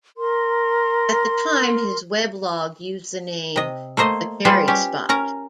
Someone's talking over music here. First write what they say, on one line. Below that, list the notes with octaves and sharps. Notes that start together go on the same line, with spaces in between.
At the time his weblog used the name "The Kerry Spot".
A#4 C6
C3 D#5
A3 A#3 C5 D#5
G3 F4 G#4 B4 C5
C#4 G4
C#4 A#4 A#5